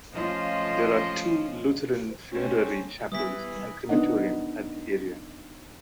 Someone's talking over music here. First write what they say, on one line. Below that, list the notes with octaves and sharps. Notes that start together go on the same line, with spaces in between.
There are two Lutheran funerary chapels and crematorium at the area.
F3 A3 C#4 F4 D#5
A3 C4 C#4
E3 G3 B3 D#6 B6
B3 D4 D#4 D#5 F#5